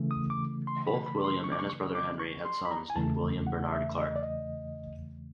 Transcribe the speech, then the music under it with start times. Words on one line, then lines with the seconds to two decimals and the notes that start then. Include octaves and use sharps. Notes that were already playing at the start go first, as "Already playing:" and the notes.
Both William and his brother Henry had sons named William Barnard Clarke.
Already playing: C#3 E3 A3
0.11 D#6
0.30 D6
0.67 C6
0.87 B5
1.06 B5
1.25 C6
1.44 C#6
1.52 D6
1.59 C#6
1.70 C#6
1.95 D6
2.20 C#6
2.45 C6
2.65 B5
2.71 A#5
2.90 G#5
2.96 E2 C#3 E3 A3 A5
3.47 F#5
3.72 E5
3.98 D#5
4.16 D5
4.23 D#5